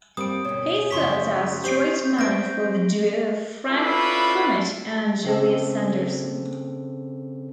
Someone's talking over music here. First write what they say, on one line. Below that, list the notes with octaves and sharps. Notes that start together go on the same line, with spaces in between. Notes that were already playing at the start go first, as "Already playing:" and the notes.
He served as straight man for the duo of Frank Crumit and Julius Sanderson.
G3 A#3 C4 D#6 D7
D2 B2 C#5
F#2 C#3 F3 C6 C#6 B6
D4 G4 C5 C#6 G6 C7
C4 B4 E5 A#6 D7
C#4 D4 E4 F4 A4 B4
C#3 C4 A4